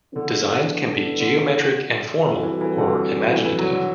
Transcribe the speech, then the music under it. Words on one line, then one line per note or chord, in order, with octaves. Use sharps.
Designs can be geometric and formal or imaginative.
D3 E3 B3 D4 A4
D3
E3 G3 C4 F#4 A4
E3
E3
D3
E3
E3
F#3
D3